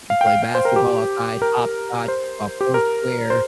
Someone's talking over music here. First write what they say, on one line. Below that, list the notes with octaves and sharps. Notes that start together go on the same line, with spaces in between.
We'd play basketball outside, hopscotch, uh, foursquare.
F5
G5
F5
F5
C5
A#4
G4
A#4
C5
G4
A#4
C5